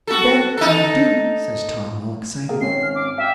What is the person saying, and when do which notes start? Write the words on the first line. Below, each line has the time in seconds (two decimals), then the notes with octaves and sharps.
"You bet I do," says Tom, all excited.
0.07 F#4 A4
0.57 D#4 A4
2.49 A#3 G#4
2.61 G#1 C4 C#4 C7
2.83 F6
2.95 D6
3.18 E5 F5 G5